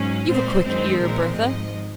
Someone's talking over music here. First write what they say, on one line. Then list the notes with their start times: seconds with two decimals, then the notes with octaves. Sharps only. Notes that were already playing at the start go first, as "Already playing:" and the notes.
You've a quick ear, Bertha.
Already playing: G#2 F#3 C#4
0.28 A#2 G#3 C4 C5
0.64 F#2 D#3 G#3 C4 C5
1.01 A#1 A#2 F3 G#3 C4 A#4
1.37 G#1 G#2 F3 D#5